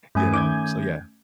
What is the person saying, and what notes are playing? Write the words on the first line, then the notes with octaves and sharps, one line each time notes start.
you know? So yeah.
G2 A3 C#4 G#5
D#3 D6 G6 G#6